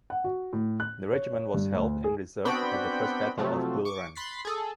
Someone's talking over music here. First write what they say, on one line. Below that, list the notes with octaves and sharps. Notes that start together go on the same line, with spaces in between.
The regiment was held in reserve at the First Battle of Bull Run.
F#5
F#4
A2
F#6
C#5
C#5
G2
D2
G#4
B3 C4 D4 F#4 G5 B5
C3 F3 F#3 A3
C#6 D6
B5 C6 F#6 A6 B6 C7
G#4 A4